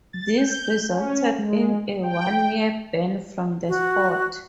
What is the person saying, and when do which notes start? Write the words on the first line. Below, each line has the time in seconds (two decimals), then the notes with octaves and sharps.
This resulted in a one-year ban from the sport.
0.13 A6
0.38 G6
0.89 C#4
1.38 G#3
2.03 G5
3.68 F#4